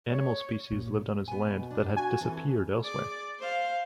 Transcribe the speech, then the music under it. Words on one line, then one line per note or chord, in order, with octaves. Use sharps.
Animal species lived on his land that had disappeared elsewhere.
C#5
A#2
B3 G#5
B2
D4
F#4 G#5
E3 C4 A4
G#4 D5
C5 F5